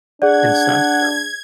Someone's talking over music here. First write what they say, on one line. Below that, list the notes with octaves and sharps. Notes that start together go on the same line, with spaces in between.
and stuff, so
D4 G#4 D5 F#5 G#6